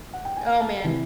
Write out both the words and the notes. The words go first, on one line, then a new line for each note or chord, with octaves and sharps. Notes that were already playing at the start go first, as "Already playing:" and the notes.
Oh, man.
F#5
G5
G#5
A5
C3 E3